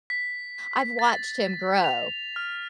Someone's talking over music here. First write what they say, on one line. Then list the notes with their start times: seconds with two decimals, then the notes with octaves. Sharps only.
I've watched him grow,
0.10 B6
0.99 A6
1.84 F7
2.36 F6